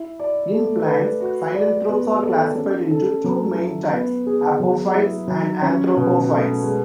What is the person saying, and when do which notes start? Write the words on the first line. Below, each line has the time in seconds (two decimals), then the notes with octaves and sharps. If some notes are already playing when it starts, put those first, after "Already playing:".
In plants, synanthropes are classified into two main types - apophytes and anthropophytes.
Already playing: E4
0.19 D5
0.53 A3
0.87 B4
1.20 F#4
1.54 D5
1.89 B3
2.23 A4
2.57 C#4
2.91 A4
3.24 F#3
3.58 E4
3.92 B3
4.26 G#4
4.60 F#3
4.94 E4
5.27 F#3
5.62 C#4
5.96 B2
6.30 A3
6.63 G#3